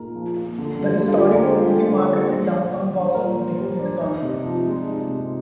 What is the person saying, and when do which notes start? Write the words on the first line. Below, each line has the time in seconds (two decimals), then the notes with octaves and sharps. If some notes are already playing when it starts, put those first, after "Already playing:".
The historic Quincy Market in downtown Boston is named in his honor.
Already playing: A#2 D#4 G#4 A#4
0.15 F3
0.36 A#3
0.58 D3
0.79 D3
1.01 G3
1.08 F4
1.18 G4
1.22 A#3 G#4
1.35 A#4
1.43 D3 C5
1.65 D3
1.87 G3
2.08 A#3
2.29 A#2
2.51 A#2
2.72 G3
2.94 D4
3.06 C5
3.14 A#2 A#4
3.36 A#2
3.58 G3
3.79 D4
4.01 D#4
4.22 C3
4.44 F3
4.65 G#3
4.87 D#4
5.08 C3